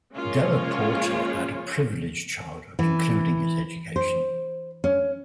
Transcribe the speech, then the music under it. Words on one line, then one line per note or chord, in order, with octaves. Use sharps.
Della Porta had a privileged childhood including his education.
F3 G#3 A#3 C#4 F4 C#5
E3
C5
C#4